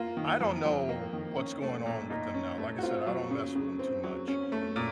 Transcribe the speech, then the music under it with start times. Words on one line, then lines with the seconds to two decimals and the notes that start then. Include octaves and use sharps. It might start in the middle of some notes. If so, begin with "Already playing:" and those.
I don't know what's going on with them now, like I said, I don't mess with 'em too much,
Already playing: A#3 F4
0.17 D#3
0.41 F2
0.65 F2
0.89 A#3
1.13 D#3
1.38 C#4
1.62 A3
1.86 A#2
2.10 A#2 D#4
2.34 C#4
2.58 A3
2.78 F#4
2.83 C4 F4
3.07 F#3
3.31 C#3
3.55 C#3
3.79 C4
4.04 F#3
4.28 C#4
4.52 A3
4.76 A#2